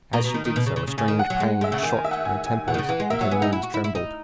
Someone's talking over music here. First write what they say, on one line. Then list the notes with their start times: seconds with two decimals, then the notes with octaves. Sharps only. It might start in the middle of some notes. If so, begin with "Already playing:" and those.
As she did so, a strange pain shot through her temples, and her knees trembled.
0.13 B2 A#5
0.24 B2
0.34 D#3
0.45 D#3
0.56 B2
0.66 C#3
0.76 C#3
0.88 C#3
0.98 C#3 G#5
1.08 D#3
1.19 F#5
1.30 F#3
1.40 G#3
1.61 G#3 E5
1.72 C#3 F#5
1.83 D#3 G#5
1.97 G#5
2.04 E5
2.11 F#5
2.25 G#5
2.46 G#5
2.68 B2 F#5
2.74 D#3
2.78 C#3
2.89 E3 F#5
3.00 G#3
3.10 A#3 E5
3.20 F#3 F#5
3.31 B3 G#5
3.42 D#4 F#5
3.53 E4
3.63 F#4
3.74 E4
3.84 E4
3.95 D#4